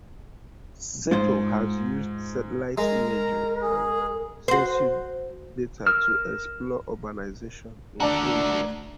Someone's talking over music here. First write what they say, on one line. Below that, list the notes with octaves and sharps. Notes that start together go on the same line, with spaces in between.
Seto has used satellite imagery and census data to explore urbanisation in India.
G#2 G#3 F4 C5
G#3 A#4 A#5
G#4
F#4 C5
A#4 E6 F6
A3 D4 F#4 D5 A5 A#5